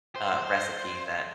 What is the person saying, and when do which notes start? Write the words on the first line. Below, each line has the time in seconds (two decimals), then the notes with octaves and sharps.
uh, recipe that
0.16 C5